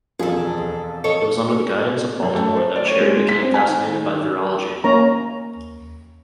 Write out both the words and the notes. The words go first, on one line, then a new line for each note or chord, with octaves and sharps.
It was under the guidance of Baltimore that Cherry became fascinated by virology.
E1 F2 F3 G#4 A4
A4 C#5 D#5
F#2
A3
C5
D5
C#5
G#3
G#3
B6
C4
G#5
D#3
D#3
A#3 C#4 A#4 C#5 A#5